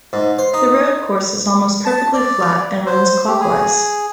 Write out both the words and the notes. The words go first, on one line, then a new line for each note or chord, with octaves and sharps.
The road course is almost perfectly flat and runs clockwise.
G#2
C5
D#4
A5
D5
C5
G4
G#4